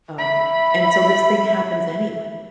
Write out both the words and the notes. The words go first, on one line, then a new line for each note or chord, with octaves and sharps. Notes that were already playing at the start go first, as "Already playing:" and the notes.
um, and so this thing happens anyway.
E5 B5